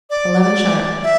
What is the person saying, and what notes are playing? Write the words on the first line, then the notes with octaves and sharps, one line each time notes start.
"Eleven sharp."
D5
D5
E5